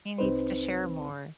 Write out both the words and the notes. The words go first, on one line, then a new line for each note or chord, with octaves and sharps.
he needs to share more."
C2 C4 D#4 B4 C5